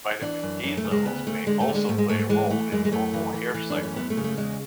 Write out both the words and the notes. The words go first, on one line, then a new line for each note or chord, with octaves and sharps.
Vitamin D levels may also play a role in normal hair cycle.
E3 D4
F#2
F#2 C#4
A3
C#3
G#3
D2 B3
D2 A3
D3 G#3
A3
D3
G#3
G#2 A3
G#3
G#2 A3
A3
E3 G#3
E3 A3
F#2 G#3
G#3
F#2 A3
E3
E3
E3
F#2 D4
C#4
F#2 B3
A3
C#3
A3
E2 G#3